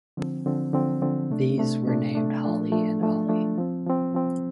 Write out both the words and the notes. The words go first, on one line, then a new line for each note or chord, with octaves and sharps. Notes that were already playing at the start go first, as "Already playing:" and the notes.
These were named "Holly" and "Olly".
D3 F3 C4
D3 F3 C4
D3 F3 C4
D3 F3 C4
C3 A3 D4
C3 A3 D4
C3 A3 D4
C3 A3 D4
F3 A3 D4
F3 A3 D4
F3 A3 D4
F3 A3 D4
F3 C4
F3 C4
F3 C4